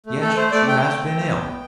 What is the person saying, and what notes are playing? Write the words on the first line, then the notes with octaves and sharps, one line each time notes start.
"Yes, she has been ill."
A3
A3 A4
A3 C5
A3 D5
A3 G5
A3
C4
A3
B3
B3